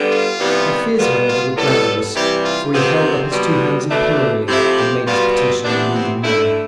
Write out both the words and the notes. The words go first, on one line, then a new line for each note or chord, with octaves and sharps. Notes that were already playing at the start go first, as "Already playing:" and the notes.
My fears, however, were groundless, for he held up his two hands imploringly, and made his petition in a moving manner.
Already playing: D3 G3 B3
F4
C3 E3 G3 B3
B2 G3 B3 F4
F4
A2 G3 B3 A4
C3 E3 G3 G4
F4
C3 F3 B3 C4
C4
B2 G3 B3
B2 A3 D4
C3 F3 A3 E4
G4
B2 G3 B3 F4
C4
C3 E3 B3 D4
C4
D3 A3 E4